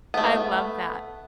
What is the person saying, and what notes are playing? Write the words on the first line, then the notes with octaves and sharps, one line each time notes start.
I love that.
A3 B3